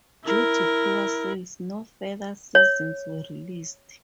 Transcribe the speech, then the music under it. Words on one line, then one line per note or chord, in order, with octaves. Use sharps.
Due to poor sales, no further seasons were released.
E4 A#4
C#5